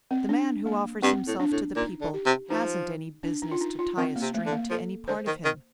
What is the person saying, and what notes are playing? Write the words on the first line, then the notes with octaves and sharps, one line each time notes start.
The man who offers himself to the people hasn't any business to tie a string to any part of him.
C4
D4
A#3
G2 C4
A2
D4
A2
A#2 D#4
D3
G4
C3
F3 D#4
D4
D#4
F4
D#4
F4
D#3 C4
A#3
C3
A3
D3
A#3
F3 A4
D3 C5
D#3
D#3